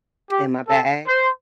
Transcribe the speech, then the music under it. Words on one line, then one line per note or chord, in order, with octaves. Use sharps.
in my bag,
G4
A4
C5